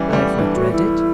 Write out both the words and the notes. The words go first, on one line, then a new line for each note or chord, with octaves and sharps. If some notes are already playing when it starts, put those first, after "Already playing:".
"I've not read it."
Already playing: E3 G3 C#4
A3
G3 B3
E3 G3 D4
F#4
E4